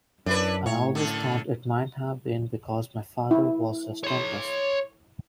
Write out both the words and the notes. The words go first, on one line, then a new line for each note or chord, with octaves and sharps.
I always thought it might have been because my father was his dentist.
F#2 D4 E4 B4
A2 C#5
F#2 D3 A4
E4
C#5 C6